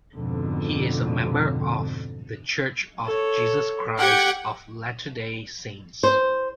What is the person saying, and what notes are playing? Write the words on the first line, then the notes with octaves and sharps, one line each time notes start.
He is a member of the Church of Jesus Christ of Latter-day Saints.
F2 G#2 B2 D3
A4 C#5
G4 F#5 G5 G#6
C5